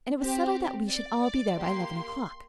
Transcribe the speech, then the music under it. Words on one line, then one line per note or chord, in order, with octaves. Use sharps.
And it was settled that we should all be there by eleven o'clock.
C4 G4
D5
D5
A#3 G4 C6